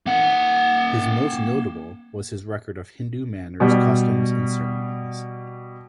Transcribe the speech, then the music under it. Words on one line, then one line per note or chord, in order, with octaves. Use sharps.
His most notable was his record of "Hindu manners, customs and ceremonies".
A#3 F#5
B2 G3